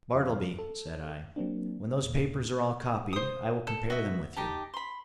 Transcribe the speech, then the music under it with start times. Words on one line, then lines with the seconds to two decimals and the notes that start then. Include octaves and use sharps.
"Bartleby," said I, "when those papers are all copied, I will compare them with you."
0.15 F2 F4 F5
0.58 A4
1.36 F#3 A#3 C4 D4
2.02 D#2 A#2
3.13 C5 D#6
3.67 A4
3.90 F#4 D#5 E5
4.37 D#4 G4 A5
4.74 B5 C6